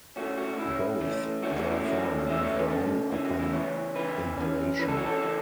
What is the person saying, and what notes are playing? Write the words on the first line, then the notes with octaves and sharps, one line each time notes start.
Both, therefore, move down upon inhalation.
A2 A3 C#4 F#4
F#4
A2 A3 C#4 E4
A2 E3 A3 C#4
A2 E3 A3 C#4 F#4
F#4
E4
E3 A3 C#4 F#4
E3 A3 C#4 E5
C#5
B4
C#3 A3 C#4 A4
C#3 A3 C#4 E4
F#4
E4
C#3 E3 B3 C#5
C#3 E3 B3 B4
E3 C#4
E3 C#4 B4
A4
F#4
A4
C#3 E3 A3 C#4